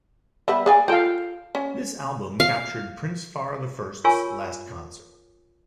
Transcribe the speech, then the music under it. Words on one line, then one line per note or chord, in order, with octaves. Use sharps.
This album captured Prince Far the First's last concert.
G3 B3 B4 E5
G#4 D5 F5 G#5
F4 A4 F5 G5
C#4
F5
F4 A#4 C#5 G#5 C#6 E6